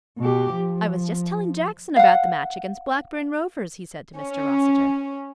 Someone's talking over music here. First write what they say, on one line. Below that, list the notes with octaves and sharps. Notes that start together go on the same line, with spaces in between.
I was just telling Jackson about the match against Blackburn Rovers,' he said to Mr Rossiter.
B2 G4
F3
F5 F#5
C#4